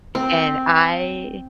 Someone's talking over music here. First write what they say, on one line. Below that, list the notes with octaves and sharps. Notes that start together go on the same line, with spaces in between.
And I
C4